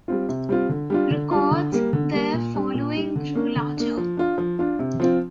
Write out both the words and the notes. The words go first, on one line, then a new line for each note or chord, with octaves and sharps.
Records, their following grew larger.
G3 C4 F4
C3
G3 C4 F4
D3
G3 D4 F4
D3
G3 D4 F4
D3
G3 A#3
D3
G3 A#3
A#2
G3 D4
A#2
G3 D4
D3
A#3 D4
D3
A#3 D4
F3
D4 F4
F3
D4 F4
C3
F3 C4 F4